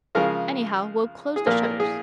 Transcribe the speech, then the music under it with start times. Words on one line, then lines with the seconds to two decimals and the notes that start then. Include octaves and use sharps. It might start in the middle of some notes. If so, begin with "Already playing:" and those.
Anyhow, we'll close the shutters.
0.15 C#3 F3 G#3 A#4
1.36 G#4
1.47 A#2 F3 A#3 A#4
1.63 A#4
1.80 G#4